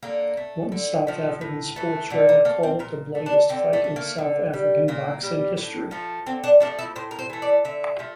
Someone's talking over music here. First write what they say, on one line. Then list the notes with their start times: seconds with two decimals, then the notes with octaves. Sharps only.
One South African sportswriter called it "the bloodiest fight in South African boxing history".
0.03 D3 A#3
0.37 A3
0.72 D3
1.07 F3 A3
1.41 A2
1.76 E3 A3
2.10 D3 A3
2.29 A#3
2.45 A3 A#3
2.63 C4
2.79 A#2 A#4
3.15 A3
3.26 D4
3.49 D3 C4
3.73 A3
3.84 A3
3.96 A#3
4.18 D3
4.54 G3
4.88 A#2 A#3
5.23 G3
5.57 A2
5.91 F3 A3
6.26 D3 C4
6.44 D4
6.60 F3 A3 D4
6.79 E4
6.96 A2 C5
7.11 A#4
7.19 C5
7.30 E3 A3
7.42 D5
7.65 D3 E5
7.99 F3 A3